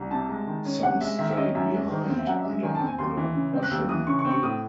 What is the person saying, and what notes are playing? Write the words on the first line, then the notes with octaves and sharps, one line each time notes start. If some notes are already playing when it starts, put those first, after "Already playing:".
Some stayed behind under the Russian rule.
Already playing: C2
C3 A5
G#3
D#3
C#4
C3 F#5
G#3 E5
D#3 E5
E5
C#4 D#5
F#2 E5
G#3
D#3
C4
E5
F#2 F#5
E5
G#3
E5
D#3 G#5
A5
C4
G#5
D#2 C6
E3
C#3
C4
F#6
D#2 E6
E3 D#6
C#3 C#6
C#6
C4
C#6
A2 D#6